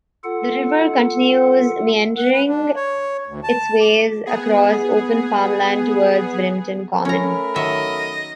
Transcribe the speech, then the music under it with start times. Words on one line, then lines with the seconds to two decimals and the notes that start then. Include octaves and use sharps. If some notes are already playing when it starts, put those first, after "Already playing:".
The river continues meandering its way across open farmland towards Brimpton Common.
0.24 F4 A4 F#5
2.17 F#5
2.32 B4
2.48 D4
2.76 C#5
3.27 D2
3.44 A5
3.81 D6
4.26 B3 G#4
7.05 A3 C#4 A#4 A#5 B5
7.56 D#3 F#3 D#5 E5